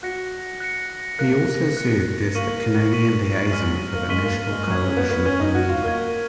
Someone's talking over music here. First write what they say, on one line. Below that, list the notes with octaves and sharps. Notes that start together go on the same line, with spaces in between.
He also served as the Canadian Liaison for the National Coalition for Men.
F#4 F#6 A#6 C#7
F#6 A#6 C#7
A#3 F#6 A#6 C#7
F#6 A#6 C#7
A#3 C#6 F6 B6 D#7 F#7
C#6 F6 B6 D#7 F#7
G#3 C#6 F6 B6 D#7 F#7
F#3
A#3
G#3 C#6 F6 B6 D#7 F#7
A#3
A#3
G#3
F#3 C#6 F6 G#6
C#4
B3
B3
C#4 C#6 F6 G#6
D#4
F#4
F4
A#3 C#6 F6 G#6